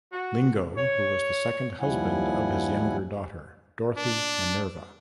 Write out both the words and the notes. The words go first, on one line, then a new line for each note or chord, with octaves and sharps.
Lingo, who was the second husband of his younger daughter, Dorothy Minerva.
F#4
C#5
D#2 F3 G3 E4 F#5 G#5
D4